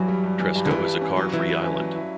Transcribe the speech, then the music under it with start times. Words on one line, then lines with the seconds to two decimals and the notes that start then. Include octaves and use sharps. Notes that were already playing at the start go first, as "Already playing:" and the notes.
Tresco is a car-free island.
Already playing: G2 E3 F#3
0.08 G3
0.24 G2
0.40 E3
0.55 G2
0.65 D3
0.70 E3 G3
0.86 G2
1.01 C#4
1.17 F#3
1.33 E3 E4
1.48 B4
1.63 C#4
1.80 F#3
1.96 E4